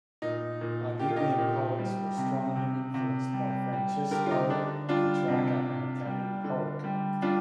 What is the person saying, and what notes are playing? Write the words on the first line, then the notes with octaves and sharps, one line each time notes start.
Iberian poets were strongly influenced by Francesco Petrarca, an Italian poet.
A#2 D#4
A#2
A#2 G4
F4
D#4 G4
A#2
G3
C3
C3
C3
G3
G3
D3 G4 A#4
F4
D#4 G4
D3 D4
G3 D4 F4
C3
C3
G3
D3
G3
G3 D4 F4